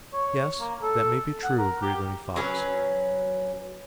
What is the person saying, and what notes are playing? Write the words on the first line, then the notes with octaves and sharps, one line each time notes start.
"Yes, that may be true," agreed Running Fox.
C#5
A#3
A4
F#5
A#4
G4
F#3 C#4 B4